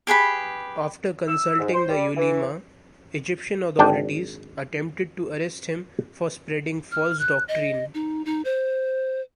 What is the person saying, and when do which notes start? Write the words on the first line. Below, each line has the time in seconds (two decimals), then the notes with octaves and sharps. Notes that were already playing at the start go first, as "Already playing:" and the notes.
After consulting the Ulema, Egyptian authorities attempted to arrest him for spreading false doctrine.
0.07 G4 G#4 B4 B5
1.28 E6
1.59 G#2
1.74 C5
1.89 G3
2.17 E3
3.79 G#1 D4 G5
6.92 F6
7.19 F#6
7.48 D#5
7.94 D#4
8.25 D#4
8.45 C5